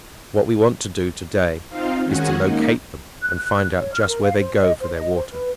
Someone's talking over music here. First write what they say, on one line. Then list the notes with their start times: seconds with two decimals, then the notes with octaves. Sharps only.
What we want to do, to-day, is to locate them and find out just where they go for their water.
1.69 C4 D#4 F4 F5
2.04 D#3 G#3 C#4 F#4 F#5 G#5
2.38 A#3 D#4
3.22 F#6
3.35 F#6
3.79 C#5
3.94 F6
4.07 A#4
4.23 F5
4.39 C5
4.59 D#5
4.80 C5
4.92 D#5
5.14 C5
5.32 B4